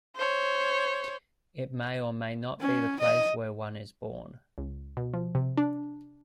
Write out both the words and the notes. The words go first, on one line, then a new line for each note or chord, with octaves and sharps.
It may or may not be the place where one is born.
C5 C#5
C#4
D#5
C#2
B2
F3
C3
D4